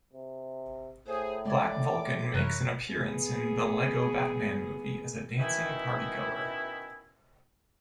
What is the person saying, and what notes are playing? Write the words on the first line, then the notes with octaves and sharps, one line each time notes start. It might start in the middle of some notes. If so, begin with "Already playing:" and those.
Black Vulcan makes an appearance in "The Lego Batman Movie" as a dancing partygoer.
C3
A2 G#4 C5
G#3 D5 D6 G#6
F#2 C3 E3 E4 A#4 C#5 F#6
B3 G#4
B2 D#3 C#4 E4